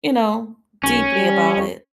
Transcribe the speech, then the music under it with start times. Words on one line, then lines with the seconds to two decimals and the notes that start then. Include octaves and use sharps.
you know, deeply about it.
0.84 B1 C#4
1.15 G3